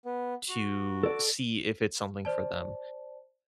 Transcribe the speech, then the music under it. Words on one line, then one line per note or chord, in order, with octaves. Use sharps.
to see if it's something for them.
B3
F#4
A4 D5
C5 D5 A5